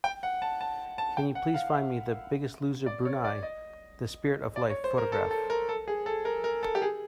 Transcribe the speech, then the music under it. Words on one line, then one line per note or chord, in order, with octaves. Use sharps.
Can you please find me The Biggest Loser Brunei: The Spirit of Life photograph?
G5
F#5
A5
A5
A5
G5
F#5
F5
E5
D5
C#5
D5
D#5
D5
C#5
C5
A#4
A4
A4
A#4
A4
G#4
A4
A#4
A#4
A4
G4
G#4